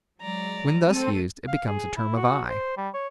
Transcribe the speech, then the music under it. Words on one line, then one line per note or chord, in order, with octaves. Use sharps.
When thus used it becomes a term of eye.
F#3 G#3 D5 A#5
A3 C4 A4 D#7
F5
G#4
E4
F#4
C5
G3
C#5